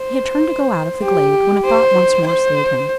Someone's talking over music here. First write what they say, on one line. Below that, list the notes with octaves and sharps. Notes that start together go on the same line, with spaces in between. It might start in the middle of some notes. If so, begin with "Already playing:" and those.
He had turned to go out of the glade, when a thought once more stayed him.
Already playing: C5
G4
C5
C5